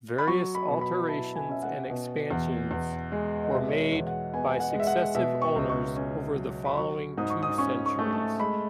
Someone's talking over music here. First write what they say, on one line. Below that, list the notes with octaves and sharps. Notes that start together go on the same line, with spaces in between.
Various alterations and expansions were made by successive owners over the following two centuries.
B5
F#3 C#6
B5
B2
B5
E4 A5
G#5
C#4 E5
F#5
B2
E2
E2
G#3
D#5
B2 E5
C#5
D#5
E2
F#5
B3 G#5
F#5
D#5
G#3
E5
F#5
B2 E5
C#6
C#2
C#6
C#4
F#3
B5
F#3 C#6
G#2 D#6
C#6
D#6
C#4 C#6
C#6
A3
A5
G#3 B5